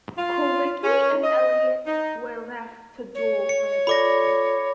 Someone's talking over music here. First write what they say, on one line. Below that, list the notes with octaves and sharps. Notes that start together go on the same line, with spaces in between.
Kulwicki and Elliott were left to duel for the title.
F4
C#4
D#5
D#4
C#5
C#7
F4 A4 D5 B5 D6 A#6